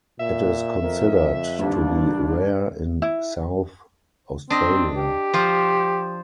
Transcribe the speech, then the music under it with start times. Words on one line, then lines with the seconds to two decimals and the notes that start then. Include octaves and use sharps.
It is considered to be rare in South Australia.
0.20 A#2 E5
0.80 F2 A#4
1.59 G1 D#2 D4
3.02 E4
4.50 C4 D4 D#5
4.96 G4
5.34 F3 C5